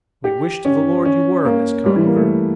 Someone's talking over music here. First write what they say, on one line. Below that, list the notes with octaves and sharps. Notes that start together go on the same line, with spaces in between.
But we wish to the Lord you were, Miss Conover.
G4
C#4
C#4
A#3
G3
E3
A#3
A3